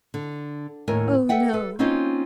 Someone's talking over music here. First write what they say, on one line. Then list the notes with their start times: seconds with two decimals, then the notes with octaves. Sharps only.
"Oh, no!"
0.14 D3
0.88 D#2 A2 A#4 C#5 G#5
1.29 A4 B4 E5 F#5 G5
1.53 A4 B4
1.79 A#3 C4 C#4 D#4 F4 C5